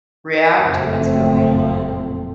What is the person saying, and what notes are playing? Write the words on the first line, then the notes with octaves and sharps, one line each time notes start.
react to what's going on?
F#1 F2 A#2 A3 C4